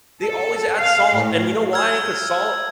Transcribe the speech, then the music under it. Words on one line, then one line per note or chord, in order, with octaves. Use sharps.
they always add salt. And you know why? 'Cause salt
A4
F5
A2
E6 F6 G#6